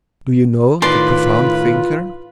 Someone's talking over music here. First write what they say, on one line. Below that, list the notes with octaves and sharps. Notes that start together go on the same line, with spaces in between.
Do you know that profound thinker?
A2 D#3 F4 B4 D5 C6